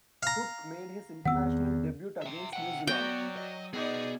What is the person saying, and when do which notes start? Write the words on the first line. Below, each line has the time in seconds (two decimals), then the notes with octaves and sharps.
Cook made his international debut against New Zealand.
0.23 F5 A#5
1.25 E2 D#3 B3 C4 F#5 E6
2.22 E5 G5
2.53 E5 F#5 G5
2.87 F#3 B3 F#4 D5 G5
3.37 D#5
3.73 B2 B3 D#4 G#4 D5